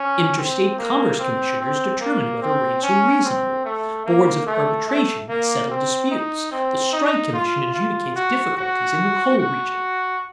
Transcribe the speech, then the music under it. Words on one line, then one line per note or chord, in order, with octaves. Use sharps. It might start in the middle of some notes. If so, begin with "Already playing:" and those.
Interstate commerce commissioners determine whether rates are reasonable, boards of arbitration settle disputes, the strike commission adjudicates difficulties in the coal regions.
Already playing: C#4
C4
A#3
C4
C4
A#3
C4
C#4
C4
A3
A#3
A3
A3
A#3
C4
D#4
C4
D#4
F4
F4
F#4
F#4
F#4